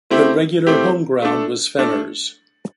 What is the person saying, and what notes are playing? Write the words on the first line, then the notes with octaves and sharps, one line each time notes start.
The regular home ground was Fenner's.
A3 C4 E4 G4
A3 C4 E4 G4
A3 D4 A4
A3 D4 A4